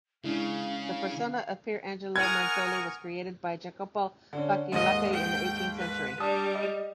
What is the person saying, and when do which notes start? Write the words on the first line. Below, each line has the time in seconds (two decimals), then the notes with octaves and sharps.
The persona of Pier Angelo Manzolli was created by Jacopo Facciolati in the eighteenth-century.
0.24 C#3 G#3 C#4 D4 E4 F5
2.16 A#4 F#5 G#5 C#6 D#6 F6 G#6
4.33 D3 C#4
4.72 D#2 G#2 D#5
5.12 G5
5.77 B4
6.20 G3 D4 A5 D#6
6.55 D#5